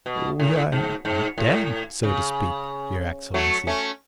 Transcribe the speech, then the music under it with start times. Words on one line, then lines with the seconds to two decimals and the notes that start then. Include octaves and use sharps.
"We are dead, so to speak, your Excellency."
0.06 B2
0.40 A2
0.72 G#2
1.05 G#2
1.38 A2
2.03 C#3
3.34 F#3 A3
3.67 A3 C#4